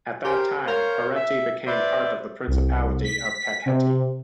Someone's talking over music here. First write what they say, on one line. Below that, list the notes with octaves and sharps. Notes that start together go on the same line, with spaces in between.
At that time, Hereti became part of the principality of Kakheti.
G4 A#4 C5
A#4 C5 C#5 F5
E5
B4 C5 D5 E5
C2
B6
C3